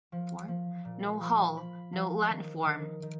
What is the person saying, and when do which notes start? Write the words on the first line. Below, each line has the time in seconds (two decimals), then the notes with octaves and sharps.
No hole, no landform.
0.12 F3
0.48 F3
0.85 A#2
1.21 F3
1.56 F3 B5
1.93 F3
2.29 D#3
2.66 D#3
3.02 D#3